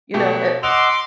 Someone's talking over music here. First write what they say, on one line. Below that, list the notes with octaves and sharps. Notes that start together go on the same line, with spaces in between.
You know, it
B2 A3 G4
D#5 F#5 C6 D6 E6 F7